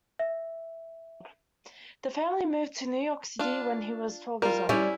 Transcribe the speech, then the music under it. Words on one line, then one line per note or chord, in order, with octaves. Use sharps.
The family moved to New York City when he was twelve years old.
E5
D4 F4
G3 F4 A#4
G3 C#4 E4